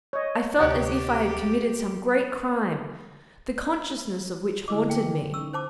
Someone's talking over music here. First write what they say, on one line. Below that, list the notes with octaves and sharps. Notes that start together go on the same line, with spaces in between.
I felt as if I had committed some great crime, the consciousness of which haunted me.
C#5 D#5
D2 C3 G4 C#5 F#5 A6
D3 E4 D#5 D6
G5
C#4 D#4 E6
C5 A5 D6